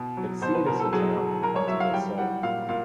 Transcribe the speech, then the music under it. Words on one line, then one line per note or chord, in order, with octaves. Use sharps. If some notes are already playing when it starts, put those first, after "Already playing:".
Its seat is the town Ponta do Sol.
Already playing: B2
F#3
B2 C5
B4
B2 A#4
A4
F#3 G#4
F#3
F#3 A#4
C#5
F#3 E5
F5
G3 G5
G3 F#5
A#2 F5
A#2 F5